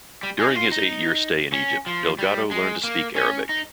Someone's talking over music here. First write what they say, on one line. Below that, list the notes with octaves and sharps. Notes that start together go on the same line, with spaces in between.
During his eight-year stay in Egypt, Delgado learned to speak Arabic.
G3
G#3
D#4
F4
D#4
C#4
F3
G3
G#3
A#3
C#4
D#4